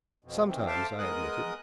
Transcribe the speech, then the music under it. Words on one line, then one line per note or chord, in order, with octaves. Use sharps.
"Sometimes," I admitted.
F2 B2
D#3 E3 C4
A4 C5 E5 F5 A5 D6
G#3 B3 A#4 D#5 D#6 F#6